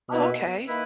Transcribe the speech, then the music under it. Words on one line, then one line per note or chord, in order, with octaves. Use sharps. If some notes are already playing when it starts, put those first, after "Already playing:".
Oh, okay.
B2 D#3 A#3 E4 B4
D#3 A#3 E4 B4